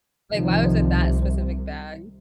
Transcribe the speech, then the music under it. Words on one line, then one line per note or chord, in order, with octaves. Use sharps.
Like, why was it that specific bag?
C2 C3 D#3 F3